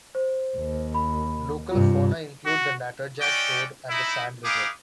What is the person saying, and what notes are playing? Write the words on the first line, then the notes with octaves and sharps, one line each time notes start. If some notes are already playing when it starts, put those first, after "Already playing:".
Local fauna include the Natterjack toad and the Sand lizard.
C5
D#2
B5
G2 C3 F4
F#4
C#4 F#4 G4 D5 D#5 G5
D#4 E4
B3 D#4 G#4 F5 D6